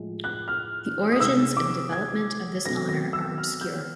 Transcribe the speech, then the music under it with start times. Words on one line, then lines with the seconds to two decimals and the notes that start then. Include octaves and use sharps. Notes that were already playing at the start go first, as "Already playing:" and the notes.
The origins and development of this honour are obscure.
Already playing: A2 F3 G#3
0.24 F#6
0.48 F6
1.12 D#6
1.20 C3 D#3 G#3 E6
1.57 D6
1.92 G#6
2.65 B2 F#3 A3 C4 A#6
2.89 A#6
3.13 E6
3.38 F6
3.61 G6